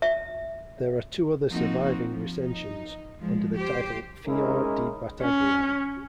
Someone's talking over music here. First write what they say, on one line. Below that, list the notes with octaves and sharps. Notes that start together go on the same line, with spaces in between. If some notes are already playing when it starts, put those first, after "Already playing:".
There are two other surviving recensions, under the title Fior di Battaglia.
E5
F3 A#3 C4 D#4 F#4
F3
D#4
F3 G#3
G4 C5
G#3 C#4 D#4 E4 A#4
C#4